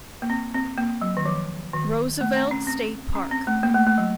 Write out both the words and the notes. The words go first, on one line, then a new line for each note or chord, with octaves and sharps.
Roosevelt State Park.
A#3
C4
C4
A#3
F#3
D#3
F3
D#3
A3
C4
C#4
C4
C#4
C4
A3
A#3
A3
A3
F#3